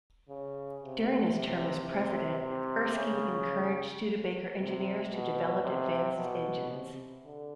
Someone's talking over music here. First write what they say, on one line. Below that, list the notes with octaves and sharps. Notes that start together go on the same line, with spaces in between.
During his term as president, Erskine encouraged Studebaker engineers to develop advanced engines.
C#3
C3
C3
C3
C3
C#3
C3
B2
C3
B2
C3
D3